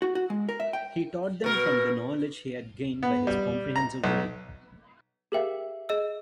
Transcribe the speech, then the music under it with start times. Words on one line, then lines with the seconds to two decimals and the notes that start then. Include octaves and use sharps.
He taught them from the knowledge he had gained by his comprehensive reading.
0.02 F#4
0.15 F#4
0.30 G#3
0.49 A#4
0.60 E5
0.73 G5
1.44 B2 A#4
3.03 B3
3.27 G3
3.76 A#5
4.04 B1
5.32 G4 G#4 A#4 E5 F5 G5
5.89 G#4 D#5 E6